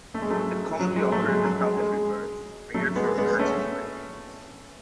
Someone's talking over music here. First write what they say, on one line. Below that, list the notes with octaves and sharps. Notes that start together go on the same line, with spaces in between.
It commonly occurs in falconry birds reared from hatching by humans.
A3
G#3
F#3 A3
F#3
G#3
F#3 A3
G#3
F#3
G#3
G#3
G#3
F#3 A3
G#3 B3
G#3 B3
A3 C#4